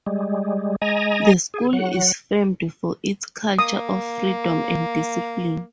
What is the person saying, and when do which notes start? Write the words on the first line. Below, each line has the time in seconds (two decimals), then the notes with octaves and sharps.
The school is famed for its culture of "freedom and discipline".
0.07 G3 G#3
0.82 G#3 D#5 G#5 A#5
1.54 G#4
1.73 F#3 F#5
3.59 A#3 D#6